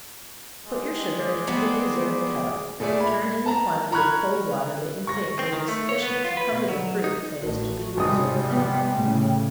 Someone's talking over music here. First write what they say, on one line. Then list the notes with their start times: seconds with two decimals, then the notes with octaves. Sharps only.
Put your sugar into the preserving kettle, turn in the quantity of cold water that you think will be sufficient to cover the fruit that is to be preserved in it.
0.67 G#3 G4
1.08 G#4 D5
1.47 B3 C4 F#4
2.80 A#2 A3 G#4 D5 E5
3.01 B5
3.46 A5 A#5
3.92 A#5 B5 C#6 F6 F#6 G#6
5.07 C#6 A#6
5.39 C4
5.53 D#3
5.68 A3
5.89 C#5
6.03 B3
6.25 F4
6.37 B4
6.52 B2
6.68 F#3
7.04 D#4
7.40 A1 A2 F#4
7.97 G#1 C3 G3 D#6
8.50 B3 G5
8.97 A2 C#3